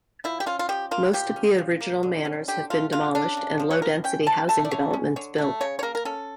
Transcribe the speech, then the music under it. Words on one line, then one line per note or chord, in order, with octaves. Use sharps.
Most of the original manors have been demolished and low density housing developments built.
F3 E4
G4
C#4 F4
F4
F3 G4
A#3 F4
F3 G4
C#4
F3
A#3
D3
C#4
D3 G4
A3 F4
C#3 F4
C#4 D4
C#3
F3
C#5
E3 A#4
C#4 G5
E3 A5
A3 A5
D5
D3 C#5
C#4
D3 C#5
A3
C#3 C#5
C#5
A#3 A#4
A#4
C#4 A4